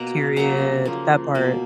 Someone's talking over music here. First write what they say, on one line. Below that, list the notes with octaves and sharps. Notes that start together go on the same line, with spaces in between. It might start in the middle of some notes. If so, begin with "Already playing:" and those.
Period, that part.
Already playing: B2 A#3 F#5 A#5
C#3 F#3 A#3 F#5 A#5
F3 A#3
B2 A#3